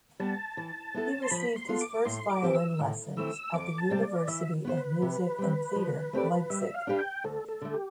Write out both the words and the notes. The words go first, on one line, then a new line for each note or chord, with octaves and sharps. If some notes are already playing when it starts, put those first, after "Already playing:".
He received his first violin lessons at the University of Music and Theatre Leipzig.
G3 B3 A5
E3
B3 E4 A4
C6
F3 B5
C6
B3 F4 A4
D6
A2 C6
D6
F3 C4 G4 C5
E6
A2
E3 A3 C4 E4 E6
F2 D6
A5
C3 G3 C4
D5
E3 E5
B3 F4 C5
B4
C3
G3 C4
F3
A3 C4 G4 D5
G3 E5
F5
D4 G4 B4
G5
D2 A4
A4
D3 A3
G4